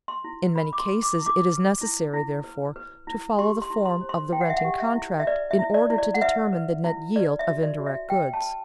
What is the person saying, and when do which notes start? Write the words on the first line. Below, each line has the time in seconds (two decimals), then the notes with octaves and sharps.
In many cases it is necessary, therefore, to follow the form of the renting contract in order to determine the net yield of indirect goods.
0.08 C6
0.24 E4
0.56 B4 B5
0.73 D6
0.79 C6
0.87 B4
1.03 D6
1.19 E4
1.26 D6
1.49 B4
1.81 E4
2.13 E4
2.44 B4
2.76 B4
3.07 E4
3.38 G4 C6
3.62 C6
3.70 E4
3.85 C6
4.01 C5
4.09 C6
4.32 E4 G5
4.41 F#5
4.50 E5
4.57 F#5
4.65 G4
4.80 E5
4.96 E4
5.20 E5
5.27 B4 D5
5.51 E5
5.59 E4
5.74 D5
5.90 E4
5.98 D5
6.14 F#5
6.21 B4 E5
6.53 B4
6.84 E4
7.16 B4 D5
7.39 E5
7.47 F#4
7.63 D5
7.78 F#4
7.86 E5
8.10 B4 G5
8.34 A5
8.41 B4